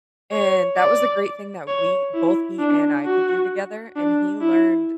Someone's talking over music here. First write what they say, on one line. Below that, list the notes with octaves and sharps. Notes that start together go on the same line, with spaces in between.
And, that was a great thing that we both he and I could do together, and he learned
C#5
D5
C#5
E4
D4
F#4
D4
E4